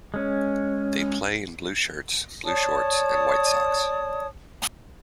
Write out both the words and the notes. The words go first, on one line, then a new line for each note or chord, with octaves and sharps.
They play in blue shirts, blue shorts and white socks.
G#3 C#4
C#5 D5 A5 D#6